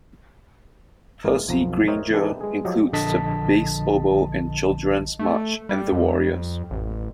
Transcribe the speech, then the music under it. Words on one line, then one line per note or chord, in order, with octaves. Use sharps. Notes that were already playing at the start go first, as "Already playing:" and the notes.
Percy Grainger includes the bass oboe in Children's March and The Warriors.
G#1 E3 G#3 A#3 A#4
B1 F2 F3 A#5
A#4 C5 C#5 D#5 E5 G5
E3 B3 D4 G4 A4 B4
G#3 G#4
F3 F#3 G4 D#5
A#1 D3 D#5 A5 B6
A3
G3
F2
A1